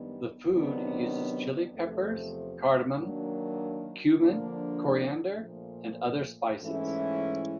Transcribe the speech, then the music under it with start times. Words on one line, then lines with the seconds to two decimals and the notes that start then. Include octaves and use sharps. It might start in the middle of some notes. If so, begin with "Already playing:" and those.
The food uses chili peppers, cardamom, cumin, coriander and other spices.
Already playing: F#2 D#3 G3 B3 D4
0.52 C3 D#3 F#3 B3 D4
1.74 E2 C3 F3 A3
2.96 D#3 F#3 A#3 D4
4.18 D3 F3 A#3 D4
5.40 A#2 F3 A3
6.61 G#2 E3 A3 C#4 E4